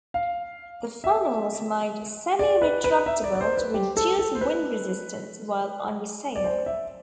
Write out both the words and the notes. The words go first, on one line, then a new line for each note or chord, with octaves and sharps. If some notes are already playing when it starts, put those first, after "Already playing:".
The funnel was made semi-retractable to reduce wind resistance while under sail.
F5
E5
D5
B4
B4
E5
D5
D5
C5
B4
G4
A4
A4
C5
B4
D5
C5
E5